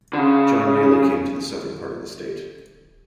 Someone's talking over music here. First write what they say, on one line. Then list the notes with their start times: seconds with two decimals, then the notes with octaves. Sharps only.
John Daley came to the southern part of the state.
0.13 D3
0.18 C#3